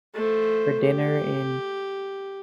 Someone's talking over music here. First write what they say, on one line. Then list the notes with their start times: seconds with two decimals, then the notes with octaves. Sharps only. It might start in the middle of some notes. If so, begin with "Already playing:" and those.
for dinner, and
0.14 A3 C5
0.81 G4